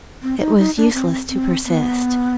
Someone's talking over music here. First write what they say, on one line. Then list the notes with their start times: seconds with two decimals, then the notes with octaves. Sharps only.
It was useless to persist.
0.23 C4
0.41 D#4
0.58 D#4
0.77 D4
0.94 C4
1.30 C4
1.66 B3